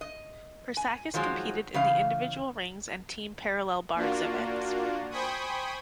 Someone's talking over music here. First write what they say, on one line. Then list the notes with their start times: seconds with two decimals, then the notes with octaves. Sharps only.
Persakis competed in the individual rings and team parallel bars events.
0.01 D#5
0.77 G#5
1.14 D#3 F3 F#3 G#3
1.74 C#3 E3 F5
3.95 A#3 D4 F4 F#4
5.10 C5 G5 G#5 B5 C#6 D#6